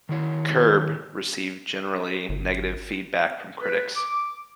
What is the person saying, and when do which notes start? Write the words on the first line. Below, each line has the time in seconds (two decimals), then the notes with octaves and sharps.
"Curb" received generally negative feedback from critics.
0.09 D#3 E4 C#5
2.29 G1
3.61 B4
3.96 D6